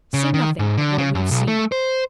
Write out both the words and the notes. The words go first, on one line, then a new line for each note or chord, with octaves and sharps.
Say nothing of what we've seen.
C#3
D#3
G#2
D3
C#3
F#2
B1
A3
C5